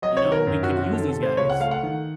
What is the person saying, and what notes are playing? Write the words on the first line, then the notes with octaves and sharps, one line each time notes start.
you know, we could use these guys
F#3 D#5
C#5
D#3
A#4
F#2 A#4
F#4
C4
F#4
D#3 A4
A4
C3
C5
C#2 C#5
F#5
A3 F5
F#5
D#3